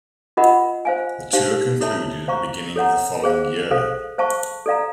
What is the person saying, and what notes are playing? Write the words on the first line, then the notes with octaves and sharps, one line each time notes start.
The tour concluded at the beginning of the following year.
F4 A#4 D#5 F#5 B5
C5 F5 G#5
D#4 G4 C5 F5
E4 A4 C#5 E5 A5
C5 F5 A#5 C#6
A4 C#5 F#5 A#5
G#4 C5 F5
A4 C5 F5
C5 F5 A5 C#6
A4 D5 F5 A#5